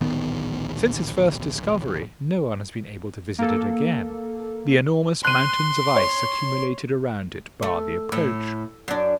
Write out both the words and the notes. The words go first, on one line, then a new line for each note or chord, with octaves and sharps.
Since its first discovery no one has been able to visit it again; the enormous mountains of ice accumulated around it bar the approach.
D1 A#1 D#3 B3
A#3 A4
C6 F#6 D#7
C#5
A3
A2
F#2 D4